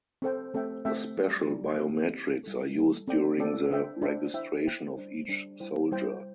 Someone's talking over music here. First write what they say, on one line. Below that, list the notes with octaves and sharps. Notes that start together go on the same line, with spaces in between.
Special biometrics are used during the registration of each soldier.
C4 A4 C5 G5
A3 C4 A4 E5 G5
A3 C4 A4 E5 G5
G3 D4 G4 D5
G3 D4 G4 D5
C4 E4 G4
C4 E4 G4
G3 E4 A4
G3 E4 A4
C4 A4 D5 G5
C4 A4 D5 G5
D4 C5 E5 G5
D4 C5 E5 G5
E4 C5 E5 G5
E4 C5 E5 G5
G3 D4 C5
G3 D4 C5
G3 E4 C5 G5
G3 E4 C5 G5